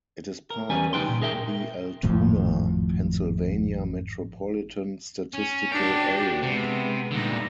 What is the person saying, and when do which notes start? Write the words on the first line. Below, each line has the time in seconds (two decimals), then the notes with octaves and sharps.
It is part of the Altoona, Pennsylvania Metropolitan Statistical Area.
0.50 A#4
0.70 E2 G3 C#4 B4 G#5
0.93 C#2 G3 D#4 B4 G5 C6
1.08 A#2
1.22 G#4 A#4 E5 G5
2.03 G#1 F2 A2 F3
5.35 C#4
5.72 D4 F#4 G5
6.43 C3 G#3 B3
7.11 A#2 D3 G3 D#4